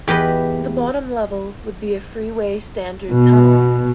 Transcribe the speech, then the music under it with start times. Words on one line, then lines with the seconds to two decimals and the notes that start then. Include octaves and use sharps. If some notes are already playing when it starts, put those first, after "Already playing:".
The bottom level would be a freeway standard tunnel.
0.08 E2 G4 B4 D#5
3.11 B2